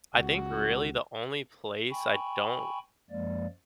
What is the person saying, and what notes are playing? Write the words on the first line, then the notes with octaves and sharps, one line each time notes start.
I think, really, the only place I don't
C#2 F#4
G5 G#5 B5 C#6
F#2 F3 G#3 A#3 D5